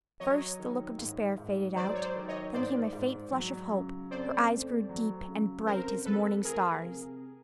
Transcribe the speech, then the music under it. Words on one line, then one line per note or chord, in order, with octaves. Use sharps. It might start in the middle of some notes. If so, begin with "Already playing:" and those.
First the look of despair faded out; then came a faint flush of hope; her eyes grew deep and bright as morning stars.
F#3 C#5 D#5
D#3
G#2
G#2
F#3 C5 D5
C#5
C5 D5
D#3
C#5 D#5
G#2 C5 D5
G#2
F#3
C#3
F2 C5 D5
A3
F#3
C#3
F2 A#4 C5
A3 A4 B4
F3 G#4 A#4
C3